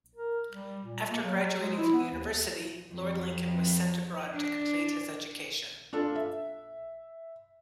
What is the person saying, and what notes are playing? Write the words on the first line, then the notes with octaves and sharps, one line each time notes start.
After graduating from university, Lord Lincoln was sent abroad to complete his education.
A#4
G3
A#2
A#3
F#3
G#3
E4
B3
D#2
F2
D4
D4 F4 A4
E5